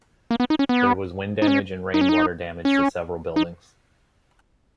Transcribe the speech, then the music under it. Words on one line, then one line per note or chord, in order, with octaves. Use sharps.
There was wind damage and rainwater damage to several buildings.
A#3
B3
D#4
C#4
B3
D#4
C#4
D#4
C#4
D#4
C#4
D#4